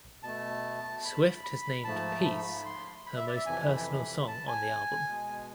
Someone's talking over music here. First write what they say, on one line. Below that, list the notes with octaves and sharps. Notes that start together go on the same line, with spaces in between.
Swift has named "Peace" her most personal song on the album.
B2 A3 A5
B5
B5
B5
G#2 F3 A3 A5
B5
C6
B5
E5
D5
E5
F2 C3 E3 G#5
B5
A5
G#5
B2 G#3